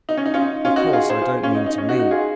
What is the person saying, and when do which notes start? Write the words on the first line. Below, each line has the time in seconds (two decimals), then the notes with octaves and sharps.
"Of course I don't mean to me."
0.09 D#4
0.17 C#4
0.26 D#4
0.34 C#4 F4
0.42 D#4
0.65 C#4 F4
0.76 D#4 F#4
0.93 F4 G#4
1.10 G#4 C5
1.22 F4 G#4
1.43 C#4 F4
1.55 D#4
1.66 D#4
1.78 C#4
1.89 D#4 F#4
1.99 D#4 F#4
2.11 F4 G#4